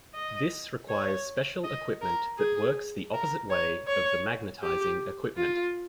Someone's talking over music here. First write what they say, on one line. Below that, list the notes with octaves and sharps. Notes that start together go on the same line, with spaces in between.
This requires special equipment that works the opposite way of the magnetizing equipment.
D#5
C#5
D#5
A#4
G#4
A#4
C#5
C#5
G4
F4